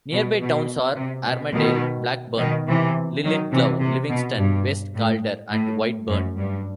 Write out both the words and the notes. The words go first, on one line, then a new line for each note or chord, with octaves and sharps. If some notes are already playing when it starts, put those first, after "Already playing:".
Nearby towns are Armadale, Blackburn, Linlithgow, Livingston, West Calder and Whitburn.
B2
B2
C3
B2
B2 D#3
B2 D#3
C3 E3
D#3 F#3
C3 E3
C3
B2
G2
A2
A2
F#2
G2